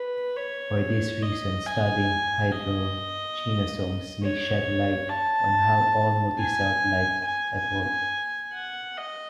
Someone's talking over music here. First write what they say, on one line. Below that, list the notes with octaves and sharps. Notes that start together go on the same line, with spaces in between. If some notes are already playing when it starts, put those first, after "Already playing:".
For this reason, studying hydrogenosomes may shed light on how all multi-celled life evolved.
Already playing: B4
C#5
D#5
G#5
D#5
C#5
A5
G#5
G#5
F#5
D#5